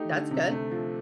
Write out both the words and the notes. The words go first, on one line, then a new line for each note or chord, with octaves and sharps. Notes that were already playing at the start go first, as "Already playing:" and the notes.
That's good.
Already playing: A3 D#4 G4
D3
C3
A3
F3